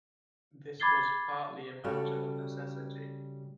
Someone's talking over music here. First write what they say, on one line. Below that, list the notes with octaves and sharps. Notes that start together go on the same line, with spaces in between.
This was partly a matter of necessity.
B5 D6 G#6 A6 C7 G7
C#3 G3 F#4 A4 C#5